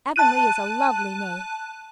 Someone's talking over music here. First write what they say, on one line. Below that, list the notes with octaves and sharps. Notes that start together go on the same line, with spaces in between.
Avonlea is a lovely name.
A5 F#6 D#7